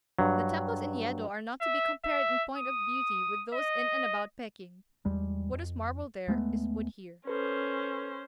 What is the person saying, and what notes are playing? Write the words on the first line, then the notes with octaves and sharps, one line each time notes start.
The temples in Yedo are not to be compared in point of beauty with those in and about Peking; what is marble there is wood here.
G2 F#3
E5
E5
D#6
D#5
E2 G3 G#3
F2
D#2 G#3 A3 B3
C#4 A4 B4 C5